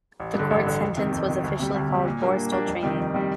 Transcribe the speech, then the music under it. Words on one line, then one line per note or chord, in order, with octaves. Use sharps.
The court sentence was officially called "borstal training".
A1
G2 D3
A1
G2 D3
F2
C3 D#3
F2
C3 D#3
D2
C3 G3
D2
C3 G3
A#2
G3 A#3 D4
A#2
G3 A#3 D4
F2
C3 D#3 G3
F2
C3 D#3 G3